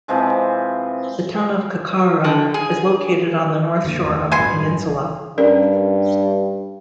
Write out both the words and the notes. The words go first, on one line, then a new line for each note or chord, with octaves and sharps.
The town of Kaikoura is located on the north shore of the peninsula.
C3 E3 F3 G#3
D3
G#4
F#2 D3 A#3
E2 D#3 A3
A1 G2 B2 G#5 C6
G2 C#4 A#4 D5